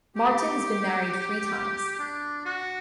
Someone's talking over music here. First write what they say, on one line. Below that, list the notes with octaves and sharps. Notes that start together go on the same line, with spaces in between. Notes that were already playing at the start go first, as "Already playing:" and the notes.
Marton has been married three times.
G4
D4
F#4